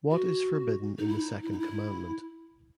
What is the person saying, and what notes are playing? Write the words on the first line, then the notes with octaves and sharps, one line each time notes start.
What is forbidden in the second commandment?
F#4
D#4
E4
D#4
E4
D#4
E4